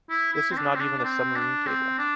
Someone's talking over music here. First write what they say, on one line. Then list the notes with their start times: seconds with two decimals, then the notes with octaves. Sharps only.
This is not even a submarine cable.
0.10 E4
0.33 E4
0.51 C4
0.57 D4
0.75 C4
0.80 D4
0.98 D4
1.04 C4
1.35 D4
1.67 C4
1.98 D4